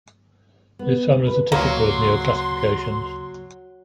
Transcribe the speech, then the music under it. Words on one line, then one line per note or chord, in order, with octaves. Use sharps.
These families are typical of newer classifications.
B3
D2
B4
D2 C#3 F#3 A#3 C6